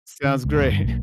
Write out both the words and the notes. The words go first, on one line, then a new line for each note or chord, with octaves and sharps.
Sounds great.
D3
C#2
D2 G2 B2
G2 D3
B1 A#3